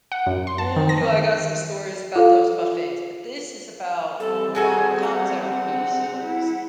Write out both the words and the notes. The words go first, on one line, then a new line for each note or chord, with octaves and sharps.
Ooh, do I got some stories about those buffets, but this is about online content pieces,
F#5
F#2
C6
A5
D#3
A#6
D#3
F4 A4 F5
G3 C4 A4
G#3 F#4 A4 G#5
F#5
E4